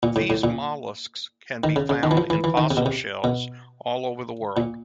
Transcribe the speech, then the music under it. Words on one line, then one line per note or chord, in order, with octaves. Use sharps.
These molluscs can be found in fossil shells all over the world.
A#2
A2
A2
A#2
D#3
C#3
C#3
D#3
E3
F3
E3
E3
D#3
C3
B2
C3
B2
A#2